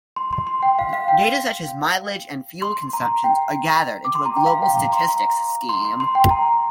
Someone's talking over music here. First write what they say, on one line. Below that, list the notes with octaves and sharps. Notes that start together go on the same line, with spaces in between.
Data such as mileage and fuel consumption are gathered into a global statistics scheme.
C6
C6
C6
G5
F5
F5
G5
C6
A#5
G5
D6
C6
A#5
G5
F5
G5
A#5
C6
A#5
C6
C6
C6
G5
A#5